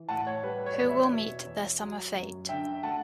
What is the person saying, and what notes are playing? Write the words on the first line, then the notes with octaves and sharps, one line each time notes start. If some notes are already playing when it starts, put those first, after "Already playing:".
Who will meet their summer fate?
Already playing: E3
A2 F#5 A5
C#5
G3 B4
C#5
D5
E2 C#5
C#5 E5
B2
E2
F#3
F#2
D3 E5 G5
A3 F#5 A5